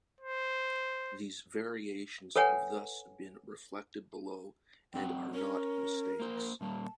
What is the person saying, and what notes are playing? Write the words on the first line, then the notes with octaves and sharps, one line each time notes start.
These variations have thus been reflected below, and are "not" mistakes.
C5
A4 B4 C#5 F#5 G#5
F#2 C4 F#5 G5
C#4 A#4
A#3 C5
A#2 G3 A#3 A5